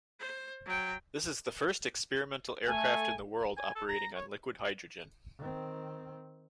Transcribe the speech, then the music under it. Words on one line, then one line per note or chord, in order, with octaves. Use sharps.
This is the first experimental aircraft in the world operating on liquid hydrogen.
C5
F#3 G5
A3 G#5
G#5
A4
A#5
C#5
D#3 C4